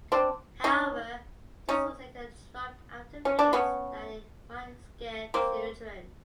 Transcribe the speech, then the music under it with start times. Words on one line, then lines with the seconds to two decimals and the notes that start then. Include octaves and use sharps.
However, this was later dropped after fears that it might scare children.
0.12 C4 D4
0.64 C#4 D#4
1.69 C#4 D#4
3.25 C#4
3.39 D4
3.53 B3 C#4
5.34 A#3 C4